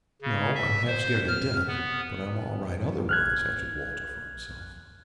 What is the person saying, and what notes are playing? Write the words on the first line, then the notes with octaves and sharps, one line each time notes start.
"No, I'm half scared to death, but I'm all right otherwise," answered Walter for himself.
C#3
E5
C5
F6
B3
F6 F#6 G#6